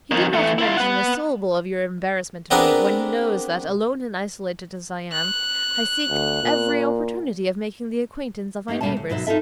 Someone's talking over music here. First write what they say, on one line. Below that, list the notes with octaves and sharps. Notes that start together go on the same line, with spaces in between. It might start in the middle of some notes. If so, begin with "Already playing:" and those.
He did not mention a syllable of your embarrassment to me, when he knows that, alone and isolated as I am, I seek every opportunity of making the acquaintance of my neighbors.
F2 D#3
E3 A3
E4 F4
B4 F#5
B3 C4 D4 G#4 A#4 B4
F#6
D2
A#2
A3 A#3 D#4 G4
D2 B2 G3 A#3 A5
C#3
D#2 B2 F#3 E5
D#4 F4 A4 E5